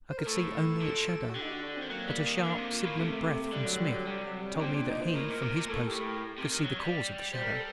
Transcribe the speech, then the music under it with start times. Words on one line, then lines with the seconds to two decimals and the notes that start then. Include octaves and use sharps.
I could see only its shadow, but a sharp, sibilant breath from Smith told me that he, from his post, could see the cause of the shadow.
0.10 C5
0.18 A#4
0.26 A2 A4
0.81 A#2
1.30 F#4
1.36 D3 G4
1.42 D#4
1.49 F#4
1.62 D4
1.76 C4
1.82 D#3
1.90 F#3 A#3
2.07 G3
2.26 D#3
2.44 D3
2.58 C3
2.71 A#2
2.85 A2
2.98 C3 A3
3.41 A3
3.53 D3 G3
3.66 F#3
3.80 G3
3.93 F#3
4.07 C3 G3
4.25 F#3
4.43 G3
4.56 D4
4.61 A#2 C4
4.75 D4
4.89 D#4
5.02 C5
5.15 A2 A#4
5.29 A#2
5.43 C3
5.57 A#2
5.70 A2 A4
5.87 A2 G4
6.06 A#4
6.38 C3
6.52 D#3
6.64 F#3
6.79 G3
7.33 G3 C5
7.44 A#4
7.53 A4